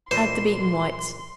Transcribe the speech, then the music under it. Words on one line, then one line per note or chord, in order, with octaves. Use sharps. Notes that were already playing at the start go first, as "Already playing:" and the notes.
Add the beaten whites.
A#1 E3 C5 D#5 C6